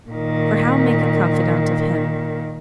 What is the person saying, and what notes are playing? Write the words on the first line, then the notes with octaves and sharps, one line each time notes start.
For how make a confidant of him?
A#2 D#3